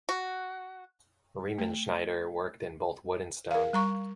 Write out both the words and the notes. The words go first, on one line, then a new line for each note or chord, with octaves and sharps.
Riemenschneider worked in both wood and stone.
F#4
A3
A#4 F5
G3 A#5 C#6